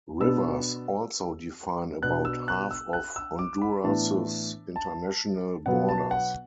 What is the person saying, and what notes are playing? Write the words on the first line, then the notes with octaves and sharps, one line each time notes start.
Rivers also define about half of Honduras's international borders.
B2 B3 D4 E6
B2 B3 D4 F#6
E6
F#6
E6
F#6
E6
D6
B5
A2 E3 B3 D4 A5
A5
B2 F#3 B3 F#5
A5
F#5